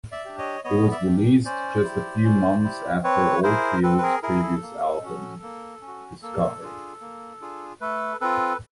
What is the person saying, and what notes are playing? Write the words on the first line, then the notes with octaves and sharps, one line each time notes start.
It was released just a few months after Oldfield's previous album, "Discovery".
D5 E5
D4 G4
C#5 D#5
B3 C#5 D#5
D5 E5
D4 G4
C#4 C5 D5
E4 G4
C#4
E4 G4
C4 B4 C#5
E4 G#4 A#4 C5
C4 A4 B4
B4
G#4 A#4
E4 G#4 A#4
A4
A#3
C#4 F#4
A#3
C#4
F#4
A#3 A4
D4 F4 G#4
A#3
D4 F4 G#4
A3 A4 B4
C4 F4 A4 B4